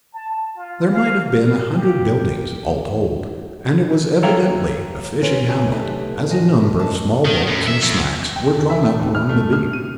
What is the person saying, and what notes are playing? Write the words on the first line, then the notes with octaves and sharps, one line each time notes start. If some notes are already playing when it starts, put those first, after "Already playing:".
There might have been a hundred buildings, all told, and it was evidently a fishing hamlet, as a number of small boats, and smacks, were drawn up along the beach.
A5
F4
F5
G4
A4 C#5 E5 F5 G5 A#5
F#3 C#4 F4 B4 C#5
E2 C3 F#3 C#5 G#5
E3 F#3 A3 D#4 G4
F2 A2 F3 G#3 D#5 G#5
A3 A#4
F2 D3 G#3 C#4 D4 A5
D#3
F#2
E5
F2
G5
E2
E5
A3
D#2
F6
A3
F6
D#7